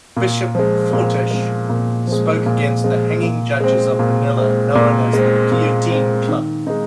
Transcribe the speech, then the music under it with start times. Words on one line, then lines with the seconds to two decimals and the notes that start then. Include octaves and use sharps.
Bishop Fortich spoke against the hanging judges of Manila known as the Guillotine Club.
0.16 A#2
0.55 F3 G#3
0.93 A#2
1.31 F3 G#3
1.69 A#2
2.07 F3 G#3
2.46 A#2
2.84 F3 G#3
3.22 A#2
3.60 G#3 C4
3.99 A#2
4.37 G#3 C4
4.75 A#2
5.13 G#3 C4
5.52 A#2
5.90 G#3 C4
6.28 D#3
6.67 G#3 D#4